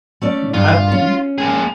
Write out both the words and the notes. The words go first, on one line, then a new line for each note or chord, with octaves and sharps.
"You have been."
A3 C#4 D5
G2 F4
C#4
A#3 G#4